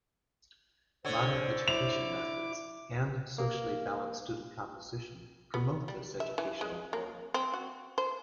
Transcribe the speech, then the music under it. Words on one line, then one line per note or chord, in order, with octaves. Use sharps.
Modern education methods and socially balanced student composition promote this educational form.
D3 C5 C#5
E4 D6 F7
A#3
B3
G3
E5
E3
G#3
A#3
C4
F#4
C5